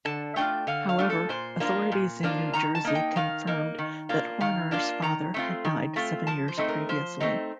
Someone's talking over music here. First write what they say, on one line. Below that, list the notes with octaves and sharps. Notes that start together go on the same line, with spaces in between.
However, authorities in New Jersey confirmed that Horner's father had died seven years previously.
D3 A5
A3 D4 F4 G5
D3 F5
F5
A3 D4 F4
A4
A#2 C5
F3 A#3 D4 F4
A#2
F3 A#3 D4 F4
D#3 A#5
A5
A#3 D#4
G5
D#3 F5
A#3 D#4
D#3
A#3 D4 F4
D#3 F5
A#3 D4 F4
D#3 A#5
A3 C4 F4
D#3
A3 C4 F4
F3 A5
C5
A3 C4 D#4
A#4
F3 C5
A3 C4 D#4